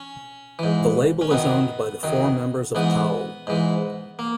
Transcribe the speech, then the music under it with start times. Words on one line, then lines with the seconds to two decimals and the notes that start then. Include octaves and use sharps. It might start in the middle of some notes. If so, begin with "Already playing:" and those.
The label is owned by the four members of Thau.
Already playing: C#4
0.59 G#2 E3
1.21 C#4
1.31 F#2 D#3 B3
2.03 F#2 D#3
2.75 G#2 E3 B3
3.47 G#2 E3
4.19 A#3